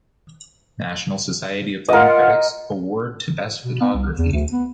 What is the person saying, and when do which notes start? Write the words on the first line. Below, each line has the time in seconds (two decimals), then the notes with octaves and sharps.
National Society of Film Critics Award to best photography.
1.88 F4 A#4 D#5 F#5
3.63 B2
3.81 B3
3.95 C2
4.18 E2
4.32 D2
4.51 B3